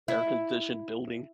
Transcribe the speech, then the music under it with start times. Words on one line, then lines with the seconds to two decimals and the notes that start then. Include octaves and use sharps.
air conditioned building.
0.08 E4